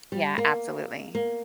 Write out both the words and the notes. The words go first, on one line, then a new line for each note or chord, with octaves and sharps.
Yeah, absolutely.
G3
A#3
A#3